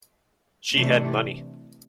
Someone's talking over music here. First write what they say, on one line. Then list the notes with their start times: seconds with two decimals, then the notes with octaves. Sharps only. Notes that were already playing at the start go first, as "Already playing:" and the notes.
She had money.
0.75 C3 E3 A3 D4